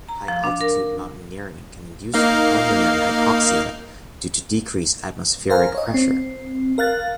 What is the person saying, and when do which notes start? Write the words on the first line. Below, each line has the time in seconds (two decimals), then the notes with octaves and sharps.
High-altitude mountaineering can induce pulmonary hypoxia due to decreased atmospheric pressure.
0.09 A#5
0.28 F3
0.44 D4
0.61 A#4
2.14 A#3 D#4 F5
5.49 A#4 C5 F5 G#5 A#5
5.75 C#5 D#5
5.94 C4
6.78 A#4 F5 F#6 A6